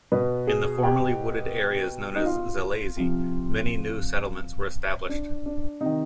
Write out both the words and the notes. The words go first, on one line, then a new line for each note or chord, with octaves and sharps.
In the formerly wooded areas, known as Zalesye, many new settlements were established.
B2 B4
G#4
G4
D#4
F4
C3 F3
D4
D4
C3 D#4
D#3